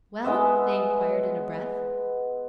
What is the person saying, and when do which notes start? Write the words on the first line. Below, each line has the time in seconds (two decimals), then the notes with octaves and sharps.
"Well?" they inquired in a breath.
0.24 G#3 B3 D#5 E5